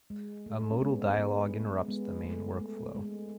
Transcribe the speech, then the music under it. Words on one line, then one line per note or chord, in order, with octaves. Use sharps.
A modal dialog interrupts the main workflow.
G#3
A3
C#4
G#3 B3
G#3 B3
G#3 B3
A3
A3
G#3